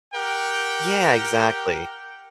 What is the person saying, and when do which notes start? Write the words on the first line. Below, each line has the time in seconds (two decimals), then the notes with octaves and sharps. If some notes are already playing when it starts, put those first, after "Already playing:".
Yeah. Exactly.
0.14 G4 A#4 F#5 G5